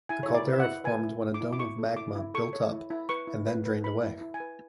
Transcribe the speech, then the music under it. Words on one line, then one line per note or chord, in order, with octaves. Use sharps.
The caldera formed when a dome of magma built up and then drained away.
E4 G#5
C#5
E4
D5
B4
E5
F#5
E4
B4 G#5
E4
E4
D6
E4
D6
E4 C#6
A4
E4 D6
E4
A4 C#6
C#5
E4
E4
B4 C#6
E4
B4
B4
B4 B5
E4
E4
G#5
B4